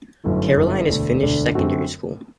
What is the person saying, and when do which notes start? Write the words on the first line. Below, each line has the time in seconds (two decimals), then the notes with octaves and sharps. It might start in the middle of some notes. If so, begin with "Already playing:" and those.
Caroline is finished secondary school.
0.24 G1 F#2 F#3 A3 E4
0.57 G1 F#2 F#3 A3 E4
0.89 E1 D2 D3 A3 D4
1.22 E1 D2 D3 A3 D4
1.55 F#2 D3 A3 C4 F#4